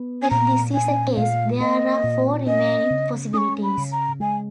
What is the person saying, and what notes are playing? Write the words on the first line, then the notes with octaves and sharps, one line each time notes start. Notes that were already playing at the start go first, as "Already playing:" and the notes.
If this is the case, there are four remaining possibilities.
Already playing: B3
G#5
A#2 A#5
C#4 G#5
A#2 F5
A#3 D#5
A#2
C#4 D#5
C#3
C#4 C#6 D#6
B5
C#3
A#5
G#3 G#5